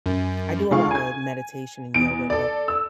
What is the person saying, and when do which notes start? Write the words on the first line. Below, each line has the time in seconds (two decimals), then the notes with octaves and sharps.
I do a lot of meditation and yoga, but
0.06 F#2
0.71 D2 G#3 F4 F5 C#6
0.91 G#5 G#6
1.94 E2 D7
2.30 A4 D5
2.68 E6